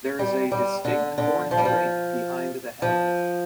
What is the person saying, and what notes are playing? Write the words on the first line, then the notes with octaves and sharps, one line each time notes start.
There is a distinct orange ring behind the head.
G3
G3
D3
D3
F3
G3
F3
F3